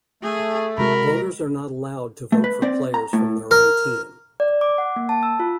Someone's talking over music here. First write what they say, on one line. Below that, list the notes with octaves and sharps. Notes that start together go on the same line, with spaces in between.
Voters are not allowed to vote for players from their own team.
A3 G#4
C3 G#3 F#4 A#4 B5
A3
B4
C4 D5
A#5
A2 A3
A#4
D5
D6
F#5
A#3
A5
E6
F4